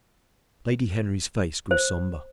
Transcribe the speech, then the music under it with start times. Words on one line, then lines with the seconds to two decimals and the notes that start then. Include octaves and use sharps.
Lady Henry's face grew sombre.
1.71 C5